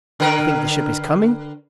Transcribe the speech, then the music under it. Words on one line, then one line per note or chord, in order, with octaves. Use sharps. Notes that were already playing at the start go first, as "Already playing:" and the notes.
"You think the ship is coming?"
D3 A#4 B4